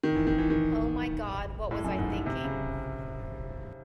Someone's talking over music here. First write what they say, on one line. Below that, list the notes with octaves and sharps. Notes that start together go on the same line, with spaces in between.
Oh my God, what was I thinking?
D#3
E3
D#3
E3
D#3
A2
F#2
G#2
A2
C3
C#3